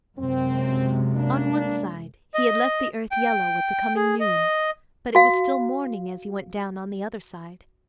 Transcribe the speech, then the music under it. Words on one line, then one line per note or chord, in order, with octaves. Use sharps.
On one side he had left the earth yellow with the coming noon, but it was still morning as he went down on the other side.
F#2 C3 G#3 C4
A3 A#3 D4
D#5
G5
G#4
D#5
F#4 F5